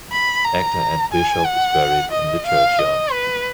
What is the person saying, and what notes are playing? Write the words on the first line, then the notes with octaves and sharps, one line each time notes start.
Actor Ed Bishop is buried in the churchyard.
B5
A#5
G#5
F#5
D#5
F5
D#5
B4